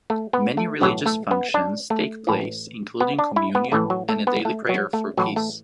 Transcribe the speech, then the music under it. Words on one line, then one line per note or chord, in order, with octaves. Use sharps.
Many religious functions take place including communion and a daily prayer for peace.
A3
B3
A3
B1 A2 E3 F#3
A3
B3
D4
A3
A1 A2 E3
B3
D4
E4
B3
A1 A2 E3 A3
F#3
A3
B3
A3
F#3
A3
A1 A2 E3 F#3
A3